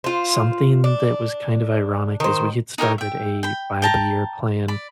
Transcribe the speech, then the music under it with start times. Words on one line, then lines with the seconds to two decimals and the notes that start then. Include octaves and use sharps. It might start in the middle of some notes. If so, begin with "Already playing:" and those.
something that was kind of ironic is we get started a five-year plan,
0.04 F4 C5
0.84 D4
2.20 D#3 C5
2.78 D#4 G4 A#4 C#5
2.98 E5 G5
3.43 G5 B5
3.82 G5 A5 A#5
4.68 D5 B5